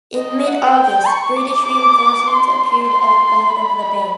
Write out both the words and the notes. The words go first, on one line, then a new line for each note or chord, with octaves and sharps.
In mid-August, British reinforcements appeared at the head of the bay.
D#5
F#5
G5
C#6
D6
D6
C6
C6
B5